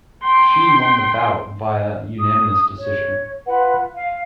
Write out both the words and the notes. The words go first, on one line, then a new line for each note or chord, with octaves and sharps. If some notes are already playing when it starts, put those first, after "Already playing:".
She won the bout via unanimous decision.
G5 C6
D#6
C#5
F4 B4 F#5
F5